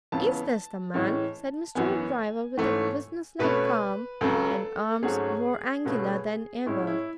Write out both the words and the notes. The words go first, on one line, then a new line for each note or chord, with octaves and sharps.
"Is this the man?" said Mr. Hoopdriver, with a business-like calm, and arms more angular than ever.
C#2 C#3 E3 B3 A5
A2 E3 G#3 C#4
F#2 E3 B3 G#5
G#2 E3 A3 C#4
B2 A3 C#4 B4
C#2 C#3 F#3 A4
G#2 F#3 A3 C#4 G#4
C#2 B2 A3 C#4
A2 G#3 C#4 E4
E4